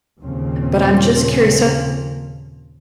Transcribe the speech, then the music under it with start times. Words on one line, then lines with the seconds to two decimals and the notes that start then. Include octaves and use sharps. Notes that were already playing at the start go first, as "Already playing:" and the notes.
but I'm just curious. So,
0.21 D#2 A#2 C#3 F3 C4